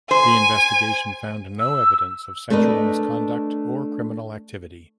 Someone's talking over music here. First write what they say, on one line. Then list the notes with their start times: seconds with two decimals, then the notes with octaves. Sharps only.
The investigation found no evidence of sexual misconduct or criminal activity.
0.11 C5 G#5
1.59 E6
2.50 A3 D4 A#4 B4 D#5